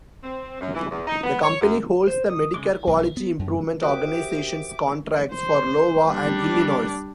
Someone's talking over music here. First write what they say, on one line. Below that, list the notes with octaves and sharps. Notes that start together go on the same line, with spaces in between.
The company holds the Medicare Quality Improvement Organizations contracts for Iowa and Illinois.
C4
F#2
E3
E2
D#4
B3
C#5
F#2
C5
D#6
C#3 G#3 D6
B1
B3
F#2
F#4 G4 A#4 C5 E5 G5 D6 D#6
C5
G3 D4